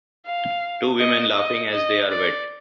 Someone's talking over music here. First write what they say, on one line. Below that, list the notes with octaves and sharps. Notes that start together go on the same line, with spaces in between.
Two women laughing as they are wet.
F5
D#5
D#5
D#5
D5